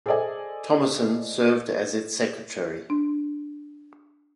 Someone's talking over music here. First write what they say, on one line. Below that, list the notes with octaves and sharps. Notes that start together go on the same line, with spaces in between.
Tomasson served as its secretary.
G#4 A4 C5 D5 D#5 G#5
D4